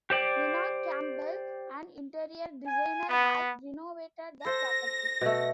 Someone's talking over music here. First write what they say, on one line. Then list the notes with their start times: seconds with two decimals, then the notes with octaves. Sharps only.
Nina Campbell, an interior designer, had renovated the property.
0.10 G4 C5 D5
2.66 G#5
3.09 B3
4.45 A4 C5 A#6
5.21 B2 A3